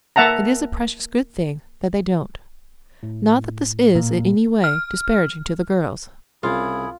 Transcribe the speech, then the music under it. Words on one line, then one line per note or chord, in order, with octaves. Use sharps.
It is a precious good thing that they don't.--Not that this is in any way disparaging to the girls.
A#3 E5 F#5 A5 A#5
A2
A#2
F6
C2 C#3 E4 F4 G#4